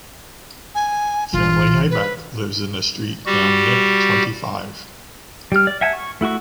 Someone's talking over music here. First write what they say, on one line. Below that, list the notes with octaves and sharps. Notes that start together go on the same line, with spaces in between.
Family Habeck lives in the street ‘Am Knick twenty-five’.
G#5
A#1 E3 F4
B4
G3 F#4 G4
G3 F6
D5
E5 F#5 G#5 A5
C#6
A3 E4 F#4 C#6